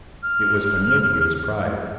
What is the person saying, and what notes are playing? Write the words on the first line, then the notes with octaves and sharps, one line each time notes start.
It was Pinocchio's pride.
F6